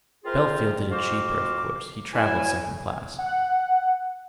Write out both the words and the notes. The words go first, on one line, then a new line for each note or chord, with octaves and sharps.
Bellfield did it cheaper, of course; he travelled second class.
C4 E4 F4 G#4 A#4 C5
F2 F4 F#4 C5 F5 D6
D2 F#3 E4 G#5
F#5